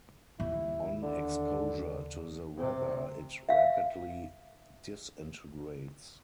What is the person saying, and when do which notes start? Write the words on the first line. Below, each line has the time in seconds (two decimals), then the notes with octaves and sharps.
On exposure to the weather it rapidly disintegrates.
0.40 D#2 E4
1.03 D3
2.58 C3
3.49 E5 F5